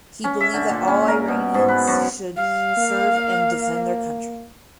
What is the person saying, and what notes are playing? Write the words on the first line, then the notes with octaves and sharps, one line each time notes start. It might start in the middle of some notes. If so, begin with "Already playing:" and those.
He believed that all Iranians should serve and defend their country.
C#4
E5
D3
A#2
C#4
A#4
B2
G#2
B4
F#2
G3 F5
A#3